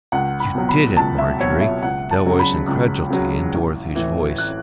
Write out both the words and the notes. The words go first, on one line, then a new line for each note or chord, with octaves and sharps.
"You didn't, Marjorie." There was incredulity in Dorothy's voice.
C#2 F#5
B5
B2 F#3
B5
C#2 A5
E5
B2 F#3 C#5
E5
C#2 F#5
A5
C#3 F#3
B5
C#2
C#3 F#3
A1
A2 E3
F#6